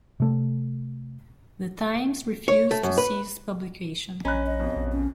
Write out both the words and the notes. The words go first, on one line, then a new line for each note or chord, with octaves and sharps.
The "Times" refused to cease publication.
C3 A3
C#5
A3
F#2
B4
A#1 C#4 D#5 A#5 B5 F#6
D#5
F2 B2
A#1
C#4